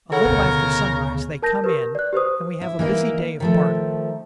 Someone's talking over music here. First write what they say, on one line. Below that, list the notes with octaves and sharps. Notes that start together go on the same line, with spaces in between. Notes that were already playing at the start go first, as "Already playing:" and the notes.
A little after sunrise they come in, and we have a busy day of barter.
C#3 A4 A#4 C#5 F#5
D2 B2
A#4 A5 G6 A#6
G4 A#4 B4
D5 F#6
G4 B4 C5 D#6
E4
E3 A#3 D#4
D#3 F3 A3